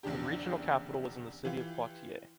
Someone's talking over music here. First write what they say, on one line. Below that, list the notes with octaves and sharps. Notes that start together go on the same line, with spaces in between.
The regional capital was in the city of Poitiers.
A#1 E2 C#3 D4 G4
E3 F4 G4